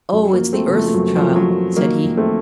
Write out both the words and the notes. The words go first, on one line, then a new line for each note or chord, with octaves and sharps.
"Oh, it's the Earth Child," said he.
F#2 F#3
F#3 A#3
F3
A3 C4
C#3
F3 A3
A3
F#2 F#3
F3
F#2
F#3
F3
D#3 F#3 A#3
F2
A3 C4